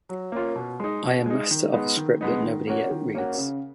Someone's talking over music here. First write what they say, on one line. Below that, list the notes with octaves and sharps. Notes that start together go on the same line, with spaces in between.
I am master of a script that nobody yet reads.
F#3
A#3 C#4 F4
B2
G#3 D#4
B2
G#3 D#4
D#3
G#3 B3 D#4
D#3
G#3 B3 D#4
D#3
A#3 C#4 F#4
D#3
A#3 C#4 F#4
C#3